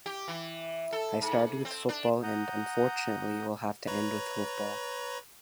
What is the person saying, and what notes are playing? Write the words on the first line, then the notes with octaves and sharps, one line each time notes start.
I started with football and, unfortunately, will have to end with football.
G4
E3
A4
G#2
C4
D4
F#5 A#5 D#6 G6
B4 C#5 A#5